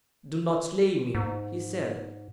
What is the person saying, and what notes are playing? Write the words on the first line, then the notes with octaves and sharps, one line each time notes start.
"Do not slay me," he said.
G#2